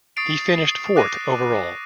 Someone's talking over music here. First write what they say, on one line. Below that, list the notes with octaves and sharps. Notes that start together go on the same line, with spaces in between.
He finished fourth overall.
C#6 D#6 A6 C7 D7 F7
D6 F#6 A#6 D#7